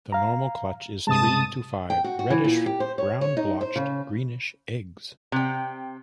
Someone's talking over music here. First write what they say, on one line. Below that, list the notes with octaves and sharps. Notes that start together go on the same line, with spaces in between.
The normal clutch is three to five reddish brown-blotched greenish eggs.
F5 A#5
G2 C3 G#3 A5 D#6
G5
F#4
F#4
E3
A#2
G4
C5
C#5
C#5
D#4
C5
C#3
C3 G5